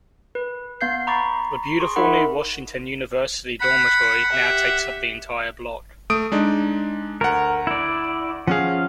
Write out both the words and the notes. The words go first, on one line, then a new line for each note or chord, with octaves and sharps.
A beautiful new Washington University Dormitory now takes up the entire block.
B4
B3 F5 G6 C7
A#5 B5 C#6 D6 A6
G#4 C6 C#6
D#4 A#4 E5 F#5 B5 C6
F#5 B5
G4 E5
A3 D#6 D7
G#3 D4 D#4
D2 A#4 F#5
E4 D5
F3 C#4 G#4 F5 F#5